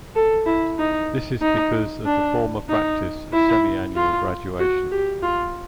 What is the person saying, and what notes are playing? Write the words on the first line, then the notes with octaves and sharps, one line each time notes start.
This is because of the former practice of semiannual graduation.
A4
E4
D#4
D#4
D4
D#4
E4
F4
F#4
G4
F4